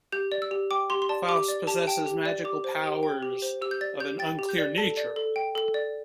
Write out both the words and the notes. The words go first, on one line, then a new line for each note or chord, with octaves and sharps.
Faust possesses magical powers of an unclear nature.
G4 G6
D5
E6
G4
G5 D6
G4 C6
C6
D5 A5
G4 D6
D5
G4 A5
G5 A5
G4
D5
G4 D6
C5
G4
G5
G4
C5
G4 E6
G6
D5 A6
G4 G6
G5 A6
G4
G6
D5
A4 A5
D5
A4
G5
A4
D5